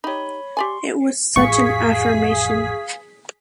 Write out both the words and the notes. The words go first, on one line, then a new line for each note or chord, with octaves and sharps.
It was such an affirmation.
D#4 G4 C#5 B5
G4 D5 G#5 C6 C#6
A1 F2 G#4 F5 C#6 B6